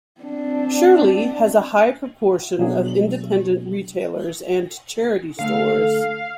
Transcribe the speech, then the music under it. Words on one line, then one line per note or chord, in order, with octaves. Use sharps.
Shirley has a high proportion of independent retailers and charity stores.
C4 D4
B2 F#3 D4 G#4
D3 A3 A4 F5